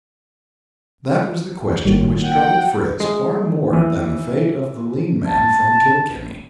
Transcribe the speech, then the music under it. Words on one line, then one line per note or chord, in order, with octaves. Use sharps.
That was the question which troubled Fritz far more than the fate of the lean man from Kilkenny.
G1 D#3 F#3 G3 A#3
F#5 G5
G#3
E3
A5